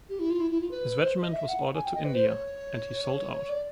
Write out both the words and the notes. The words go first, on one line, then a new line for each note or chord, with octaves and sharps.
His regiment was ordered to India, and he sold out.
G4
E4
F4
E4
E4
F4
B4
C5
D#5
E5
F#5
G#5
G5
D#5
B4
C5
C#5
D5